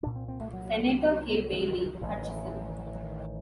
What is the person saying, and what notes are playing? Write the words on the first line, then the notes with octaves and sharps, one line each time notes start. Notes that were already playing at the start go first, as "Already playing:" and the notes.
Senator Kay Bailey Hutchison.
C2 A#2 D4
C4
C4
A3
F#3
D#3
F#3
D#3
F#3
D#3
F#3
A1 A2 D#3
F#3
D#3
F#3
D#3
F#3
D#3
F#3
D#3
F#3
D#3
F#3
D#3